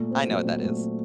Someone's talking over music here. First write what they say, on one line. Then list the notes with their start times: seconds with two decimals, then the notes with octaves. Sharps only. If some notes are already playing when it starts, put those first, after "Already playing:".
I know what that is.
Already playing: A#2 A3
0.11 C4
0.29 F#3
0.45 A#2
0.63 A3
0.79 C4